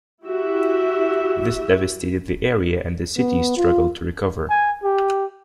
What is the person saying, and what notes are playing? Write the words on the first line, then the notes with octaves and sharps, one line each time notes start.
This devastated the area and the city struggled to recover.
E4 F#4 G4 E5
B3
F4
G#5
G4